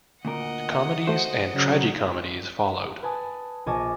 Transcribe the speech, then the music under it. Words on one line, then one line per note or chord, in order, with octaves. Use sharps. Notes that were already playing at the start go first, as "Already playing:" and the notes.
Comedies and tragi-comedies followed.
D2 A#2 A#4 D#5 F#5
A3 F#4 C5
C#3 F#3
B4 G#5 A5 D#6
A#1 D#5 G#5 A5 C#6 D6